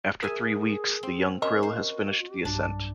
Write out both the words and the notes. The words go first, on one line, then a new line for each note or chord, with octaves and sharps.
After three weeks, the young krill has finished the ascent.
G#4 A#4 E5 G#5 D#6
C4
C#4 F#4 A#4 D#5 E5
C5
B1 G2 D4